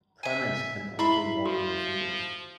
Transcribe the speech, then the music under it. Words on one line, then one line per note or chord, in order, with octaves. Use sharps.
Primates can also walk on their fingers.
E5 G#5
E4 E5 B5 C6
F3 F#4